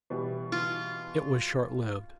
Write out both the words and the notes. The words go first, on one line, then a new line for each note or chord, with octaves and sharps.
It was short-lived.
B2 E3 G3
F4